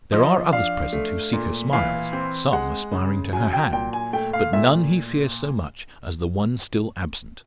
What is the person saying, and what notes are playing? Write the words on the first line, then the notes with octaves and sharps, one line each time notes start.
There are others present who seek her smiles--some aspiring to her hand--but none he fears so much as the one still absent.
F3 D#5
D4 F5
A3
A#2
E3 F5
C4
G#3 F#5
C#3
F#3 G#5
G5
A#2 G5
G#5
A3 G5
F5
A#2 E5